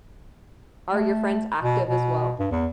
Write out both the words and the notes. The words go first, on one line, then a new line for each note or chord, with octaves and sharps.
Are your friends active as well?
A3
B2
B2
G2
E2